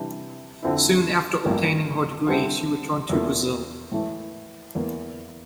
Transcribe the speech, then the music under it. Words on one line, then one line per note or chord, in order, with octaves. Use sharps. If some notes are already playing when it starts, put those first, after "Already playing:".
Soon after obtaining her degree, she returned to Brazil.
Already playing: C3 E3 G3 D4 G4
F2 D3 F3 C4 E4
A1 G2 F3 A#3
D3 G3 C4 E4 G4
E2 E3 A#3 F4 A4
A2 E3 A3
E2 E3 A#3